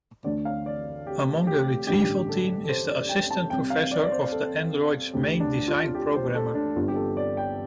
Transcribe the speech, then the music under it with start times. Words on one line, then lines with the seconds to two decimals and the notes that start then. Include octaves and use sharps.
Among the retrieval team is the assistant professor of the android's main design programmer.
0.24 D2 D3 D5
0.45 F5
0.66 D5
1.07 G4
1.47 G4
1.87 A1 G2 D3 G4
2.29 A4
2.64 A4
2.69 C5
2.89 D5
3.09 G5
3.31 A5
3.50 C2 C3 G5
3.70 F5
3.91 D5
4.04 D5
4.12 C5
4.32 A4
5.13 D2 D3 G4
5.40 D4
5.68 F4
5.84 F4
5.95 G4
6.15 C5
6.35 A4
6.55 D4
6.76 G1 G2 D3 F4
6.88 G4
6.95 A4
7.17 D5
7.37 G5